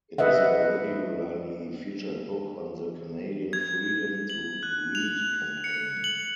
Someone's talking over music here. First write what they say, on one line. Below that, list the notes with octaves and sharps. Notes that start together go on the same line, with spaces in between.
It is a regularly featured book on the Canadian Freedom to Read campaign.
B4 D#5 E5 F#5
G#6
F#7
F#6
F7
C#7
F#7